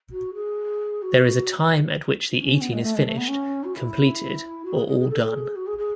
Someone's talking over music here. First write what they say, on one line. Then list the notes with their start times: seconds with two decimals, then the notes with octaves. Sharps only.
There is a time at which the eating is finished, completed, or all done.
0.11 F#4
0.34 G#4
1.02 F#4
2.37 C#4
2.60 B3
2.72 G#3
2.82 A3
2.95 G#3
3.05 A3
3.17 B3
3.28 C#4
3.64 F#4
3.74 E4
4.64 F#4
4.75 G#4
4.87 G#4
4.99 G#4
5.09 A4
5.22 A4
5.32 G#4
5.55 F#4
5.66 G#4
5.78 G#4